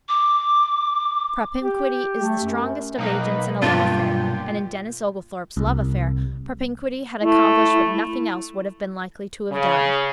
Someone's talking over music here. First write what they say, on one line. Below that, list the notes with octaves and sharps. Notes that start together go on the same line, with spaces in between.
Propinquity is the strongest of agents in a love affair, and in Denis Oglethorpe's love affair, propinquity had accomplished what nothing else would have been likely to have done.
D6
G4
A3
F#2
B1 A#3 D#4 B4
G2 A#2 F4 G4
C2
A3 E4
C#3